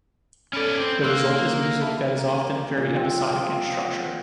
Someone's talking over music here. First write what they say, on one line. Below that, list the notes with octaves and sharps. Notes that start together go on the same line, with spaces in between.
The result is music that is often very episodic in structure.
C#4 A4 D5 B5 D7
C4
A#3 C6 E6 F#6
E5 A5 B5
A#3
D5
A#2
C4
F4
F3
F#5